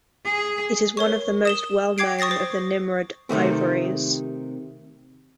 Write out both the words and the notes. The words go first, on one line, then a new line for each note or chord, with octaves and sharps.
It is one of the most well known of the Nimrud ivories.
G#4
A#4 C#5 C#6
D#6 E7 G7
G5 D6 G#6 C7 D7
C#6 D#6 A6 A#6 C7
C5
C3 D#3 A3 C4